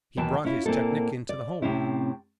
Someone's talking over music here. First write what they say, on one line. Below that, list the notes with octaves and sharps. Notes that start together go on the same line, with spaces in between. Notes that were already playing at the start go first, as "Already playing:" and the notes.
He brought his technic into the home.
D#2 B2 E3 G5 A5
C#4 E4 F4
A#2 A#3 C4 E4 A4
D5
A2 C3 C4 C#4 E4